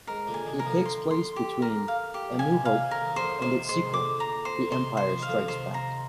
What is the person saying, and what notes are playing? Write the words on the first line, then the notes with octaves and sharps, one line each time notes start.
It takes place between "A New Hope" and its sequel "The Empire Strikes Back".
G#2 A#4
A#2 D3
G#5
C3 D#3
A#4
D3 F3
C6
C6
G4
A#4
F5
G4
F3
C3 D#3 G#5
F5
A#2
C3
D3 A#4
D#3
D3 F3 C5
C3 D#3 C5
G#2 C3 C5
D#3
A#2 D3 D6
A#5
C5
D3
C3 D#3 C5
C5
F3
D#3 F5
D3 F3
F3
C3 D#3 C5
A#5